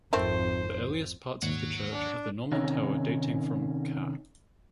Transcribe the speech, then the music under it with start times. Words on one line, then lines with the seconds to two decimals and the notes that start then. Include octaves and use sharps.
The earliest parts of the church are the Norman tower dating from ca.
0.13 G#1 F2 D#3 A3 C4 C5
1.43 D#2 G#2 C#5 F#5
1.93 D4
2.52 C3 D#3 C#4 D#4